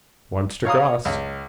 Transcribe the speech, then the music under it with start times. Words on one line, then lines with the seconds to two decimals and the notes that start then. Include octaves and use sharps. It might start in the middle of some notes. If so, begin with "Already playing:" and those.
Wants to cross.
0.65 C#5 F5 A#5 D#6
1.05 C#2